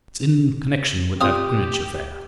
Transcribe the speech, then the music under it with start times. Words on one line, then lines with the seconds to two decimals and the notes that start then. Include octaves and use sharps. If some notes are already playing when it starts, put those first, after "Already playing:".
"It's in connection with that Greenwich affair."
1.21 C3 F4 G4 D#6